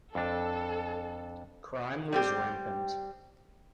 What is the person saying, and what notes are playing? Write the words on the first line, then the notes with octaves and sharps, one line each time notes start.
Crime was rampant.
F2 D4 A4
G3 C4 G4